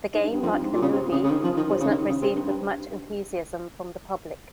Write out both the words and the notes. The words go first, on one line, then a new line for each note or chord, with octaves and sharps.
The game, like the movie, was not received with much enthusiasm from the public.
G#2
G2
G2
F2
G2
G#2
A#2
C#3
C3
C#3
C#3
D#3
F3
D#3
C3
C#3
D#3
C#3
C3
G2
G2